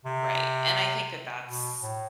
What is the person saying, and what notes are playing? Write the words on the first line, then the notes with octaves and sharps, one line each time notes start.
Right, and I think that that's
C3
B2
A2